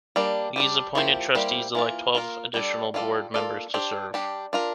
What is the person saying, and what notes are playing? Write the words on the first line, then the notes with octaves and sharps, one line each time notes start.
These appointed trustees elect twelve additional board members to serve.
G3 A#3 D4
G3 D4 G4
F3 A#3 E4 G4 C5
G3 A#3 E4 G4 C5
E3 A#3 F4
A#3 F4 A#4
G3 D4 A4
G3 D4 F4 A4 D5
A#3 F4 A4 D5
D4 G4 C5
G3 D4 G4
D4 F4 A#4